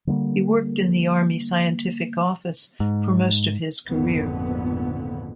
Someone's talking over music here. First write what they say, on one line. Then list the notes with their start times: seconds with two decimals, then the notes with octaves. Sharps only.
He worked in the Army Scientific Office for most of his career.
0.07 D3 G3 A3 A#3
2.80 G#2
3.87 G#1 F2 A#2 D3 B3